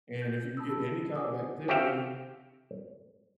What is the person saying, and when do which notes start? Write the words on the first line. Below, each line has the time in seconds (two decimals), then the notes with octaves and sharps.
and if you get any kind of activity
0.22 G6
0.57 A5 B5 D#6 E6
1.16 A#4 D5 F#5 G#5 D6 D#6
1.68 C4 F#4 G4 E5 F5 G5